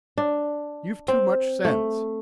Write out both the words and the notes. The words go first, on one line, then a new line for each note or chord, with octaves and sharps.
You've too much sense.
D4
C4
A3